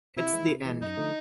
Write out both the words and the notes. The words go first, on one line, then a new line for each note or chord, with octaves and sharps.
It's the end.
C3 E4
E3 G#3
C3
E3 G#3
F#2 D#4
D3 F3 A3